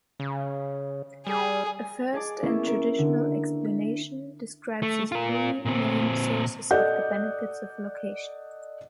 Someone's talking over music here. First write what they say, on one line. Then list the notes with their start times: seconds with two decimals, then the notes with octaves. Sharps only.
A first and traditional explanation describes the three main sources of the benefits of location.
0.20 C#3
1.27 G3 G#4
2.13 G#4 D#5 G#5 A5 D6
2.43 A#3 B3 C#4 E4
2.68 A#4
2.98 D3
3.64 B6
4.82 A3
5.12 F4 A#4
5.65 A#2 C4
6.71 A4 D5 D#5 F#5 G6